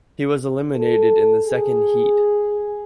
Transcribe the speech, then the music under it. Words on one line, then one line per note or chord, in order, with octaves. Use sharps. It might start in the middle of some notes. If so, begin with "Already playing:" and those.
He was eliminated in the second heat.
A4
G#4